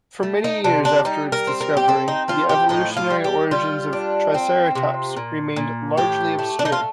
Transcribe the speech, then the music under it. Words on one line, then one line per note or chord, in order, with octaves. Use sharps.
For many years after its discovery, the evolutionary origins of "Triceratops" remained largely obscure.
A3
D#4
C3 D4
D4
G3 D#4
A#4
C4
A#4
G4
C4 A4
D#4
F3 F4
G4
A2 D#4
F4
G3
G4
G3 F4
D4
C4
C3
A#2
A#2
A2 G4
A3
D4
D#4
F4